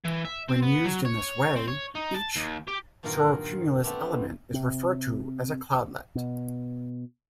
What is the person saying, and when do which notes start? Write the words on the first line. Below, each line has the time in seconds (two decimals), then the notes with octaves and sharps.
When used in this way, each cirrocumulus element is referred to as a "cloudlet".
0.05 E3
0.25 E5
0.48 C4
0.62 B3
0.85 F#3
1.05 C#5
1.56 C4
1.67 C#5
1.95 D#4
2.14 A5
2.36 D#2
2.67 G4
3.03 G2 A#2 D#3 F#3 F4 A#4
3.84 A3 B3 C4 D4
4.54 C3
6.15 B2